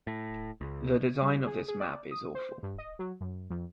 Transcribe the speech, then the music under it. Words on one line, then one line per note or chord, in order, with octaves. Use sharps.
The design of this map is awful.
A2
C#2
G3
G#4
G#4
D5
D#6
C5
G2
D#5
F#3
F#2
F2